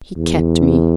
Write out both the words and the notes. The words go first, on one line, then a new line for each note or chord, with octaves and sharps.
"He kept me."
E2